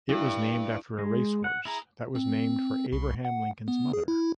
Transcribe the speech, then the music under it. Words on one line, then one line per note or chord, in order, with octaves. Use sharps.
It was named after a race horse that was named for Abraham Lincoln's mother.
G2 E4
G#3
F#5
E4 G#4 A#5
C4
C2
F#5
B3
G#4
E4